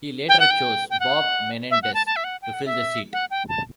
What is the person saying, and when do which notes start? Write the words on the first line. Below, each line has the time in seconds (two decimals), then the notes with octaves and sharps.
He later chose Bob Menendez to fill the seat.
0.29 G5
0.40 F#5
0.51 G5
0.90 G5
1.00 F#5
1.71 E5
1.83 F#5
1.94 A5
2.06 A5
2.16 E5
2.24 F#5
2.42 G5
2.54 F#5
2.66 E5
3.13 F#5
3.31 G5
3.49 A5